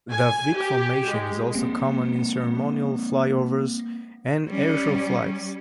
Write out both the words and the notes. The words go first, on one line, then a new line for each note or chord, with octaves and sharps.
The Vic formation is also common in ceremonial flyovers and airshow flights.
G#5
G4
G#3
A#3 C4
G3 C#4